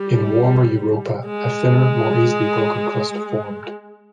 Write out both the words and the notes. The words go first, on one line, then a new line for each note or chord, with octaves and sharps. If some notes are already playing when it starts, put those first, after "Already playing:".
In warmer Europa a thinner more easily broken crust formed.
Already playing: G3
G#3